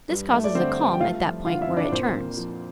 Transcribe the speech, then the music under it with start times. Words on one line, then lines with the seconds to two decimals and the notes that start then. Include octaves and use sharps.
This causes a calm at that point where it turns.
0.10 G2
0.33 A3
0.44 D5
0.55 D3 C4 C5
0.78 G2
0.93 G5
1.00 A3 F4 F5
1.23 F3
1.46 D3 F4 F5
1.61 E4 E5
1.69 F2
1.76 D4 D5
1.92 A#2 C4 C5
2.15 A#3
2.37 F3